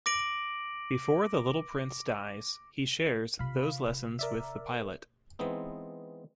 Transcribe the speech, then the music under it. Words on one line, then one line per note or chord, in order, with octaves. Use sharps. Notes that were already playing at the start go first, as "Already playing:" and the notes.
Before the Little Prince dies, he shares those lessons with The Pilot.
D6 A#6 D7 F#7
C3 F4 F5 B5
A#4 D5 E5
E3 G#3 B3 C4 D#4